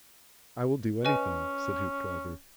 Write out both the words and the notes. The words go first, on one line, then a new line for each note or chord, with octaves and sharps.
"I will do anything," said Hoopdriver.
C#4 B4 D#5 G#5